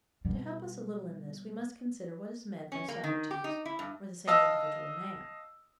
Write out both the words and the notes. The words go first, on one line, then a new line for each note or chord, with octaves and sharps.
To help us a little in this, we must consider what is meant by Socrates, or the same individual MAN.
B2 G3
C#4
A#3
D#3
G4
D#4
E4
G2
D#5 F5 A5 E6